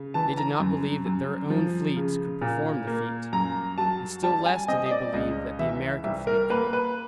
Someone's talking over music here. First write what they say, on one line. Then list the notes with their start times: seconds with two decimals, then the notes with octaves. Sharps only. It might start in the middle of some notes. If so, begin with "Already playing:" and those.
They did not believe that their own fleets could perform the feat, and still less did they believe that the American fleet could.
Already playing: C#3
0.14 E3 A5
0.37 A#5
0.60 F#2
1.06 F#2
1.50 F3
1.96 C#3
2.41 A#2
2.87 A#3
3.33 F#2 A#5
3.78 F#3 A5
4.23 G3 A5
4.46 G#5
4.68 C4 D#5
4.86 D#5
4.91 D5
5.13 C#2 D#5
5.59 E3 E5
6.04 C2 E5
6.27 A#4
6.50 A#3 B4
6.73 B4